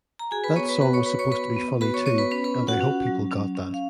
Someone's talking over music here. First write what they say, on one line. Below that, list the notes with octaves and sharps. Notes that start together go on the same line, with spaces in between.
That song was supposed to be funny, too, and I hope people got that.
A#5
F#4 G#4 G#5
B4 B5
B3 C#5 C#6
B4 B5
F#4 B4 B5
C#5 C#6
F#4 B4 B5
C#5 C#6
B3 B4 B5
B3
F#4 B4 B5
C#5 C#6
B3 C#5 C#6
B4 B5
C#4 B4 B5
B4 B5
F4
F#4 F#5
C#4
F#3
C#4
C#4
F5